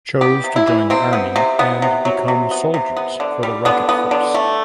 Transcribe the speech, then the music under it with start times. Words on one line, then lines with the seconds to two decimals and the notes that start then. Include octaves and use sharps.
Chose to join the army and become soldiers for the rocket force.
0.21 B3 G4
0.44 C3
0.56 E4
0.67 E3
0.90 C3 C4
1.13 B3
1.36 C3
1.59 B3
1.82 C3
2.05 F#3
2.28 C3
2.51 B3
2.74 C3
2.97 B3
3.20 D3
3.43 G3
3.65 D3 B3
3.89 B3
4.11 D3
4.34 A3